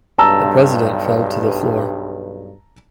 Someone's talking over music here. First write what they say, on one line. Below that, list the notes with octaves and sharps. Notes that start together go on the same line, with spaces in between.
The President fell to the floor.
B1 G2 A5 A#5 E6